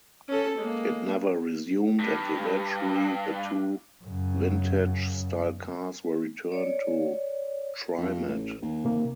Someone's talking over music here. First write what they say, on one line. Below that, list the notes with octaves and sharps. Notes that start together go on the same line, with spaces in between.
It never resumed, and eventually the two vintage-style cars were returned to TriMet.
C#4 A4
G#3 A#3
G2 G4
F#2 C#3
C#5 D5
F2
A1
D#2
C3 A#3